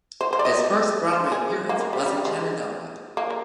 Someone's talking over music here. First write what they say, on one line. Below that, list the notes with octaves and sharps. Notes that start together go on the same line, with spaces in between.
His first Broadway appearance was in "Shenandoah".
C5
C5
D5
D#5
C5
G#4
A#3
G#3
G3
G3
G#3
A#3